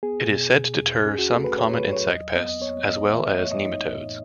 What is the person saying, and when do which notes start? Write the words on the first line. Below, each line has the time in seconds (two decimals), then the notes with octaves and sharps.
It is said to deter some common insect pests, as well as nematodes.
0.03 B3 G#4
0.29 B2
0.54 B2
0.80 E2
1.05 C#4 G#4
1.19 F#4
1.32 A3 A4
1.44 B4
1.57 A2 C#5
1.75 B4
1.83 F#3
1.93 C#5
2.10 E2 D#5
2.35 B3 D#5
2.49 D#5
2.61 B3 C#5
2.87 B3 D#5
3.12 E3 E5
3.26 D#5
3.39 A3 C#5
3.52 D#5
3.64 D#4 D#5
3.91 A2